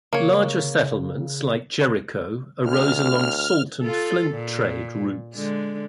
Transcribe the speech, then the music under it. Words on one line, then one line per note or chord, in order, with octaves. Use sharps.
Larger settlements like Jericho arose along salt and flint trade routes.
C#3 A#3 C#5
D2 F6
F4 A4
A#2
D3 G#3